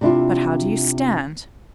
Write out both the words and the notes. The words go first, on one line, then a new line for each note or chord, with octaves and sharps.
But how do you stand?
C3 D4 E4 F4